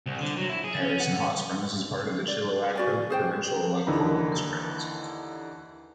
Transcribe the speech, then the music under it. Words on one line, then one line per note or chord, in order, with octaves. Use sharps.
Harrison Hot Springs is part of the Chilliwack-Hope provincial electoral district.
C2
D3
F#3
E4
G#4
C#4
F#5
D5
F#4 D5 G#5
G#4 C5 G5
D#2 D3 E3 D#4 B5